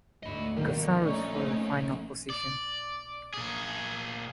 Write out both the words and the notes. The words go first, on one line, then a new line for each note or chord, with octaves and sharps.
Kozoriz for the final position.
D2 G#2 D#5 B5
B2 D3 D#3 F3 G3 A#3
A3 C#4 D#4 D5 C#6
C4 C5
D5
A#2 G#4